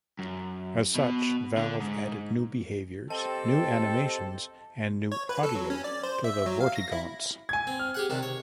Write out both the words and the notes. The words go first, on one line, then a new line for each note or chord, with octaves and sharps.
As such, Valve added new behaviours, new animations, and new audio to the Vortigaunts.
F#2
B2
D3
G#2
C4 G4 A4 C5 D#5 A5
C#5
B4
A4
F#3
C#4
D5
C5
E5
F#3
F5
A#6
E4
G#5 G#6
C4
F6
G4 G#4 F#5
C3 D#3 D4
C#5